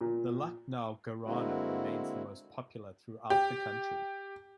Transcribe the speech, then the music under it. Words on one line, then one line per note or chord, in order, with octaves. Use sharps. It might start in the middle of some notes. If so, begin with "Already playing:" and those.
The Lucknow gharana remains the most popular throughout the country.
A#2
D3 G#3 A#3 C4 E4 F#4
G4